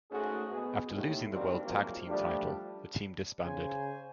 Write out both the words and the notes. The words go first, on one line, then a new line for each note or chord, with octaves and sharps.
After losing the World Tag Team title, the team disbanded.
G#2 A3 C#4 F#4 G#4
B2 B3 G#4
D#2 A2
D#3 F#3 G3 A#3 C4 D4
C3 F3 F#3 G#3 A#3
F3 G3 A3 D4
C#3 C5 G#5